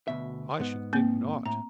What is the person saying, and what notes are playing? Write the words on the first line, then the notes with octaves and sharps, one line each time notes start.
"I should think not."
D2 B2 E5
G#2 B3
A#3 C4
A2 A#5